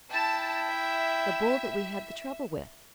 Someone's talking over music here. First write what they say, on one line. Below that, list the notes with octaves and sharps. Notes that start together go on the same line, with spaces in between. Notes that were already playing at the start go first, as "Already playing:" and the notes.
The bull that we had the trouble with.
E4 G5 A5
E5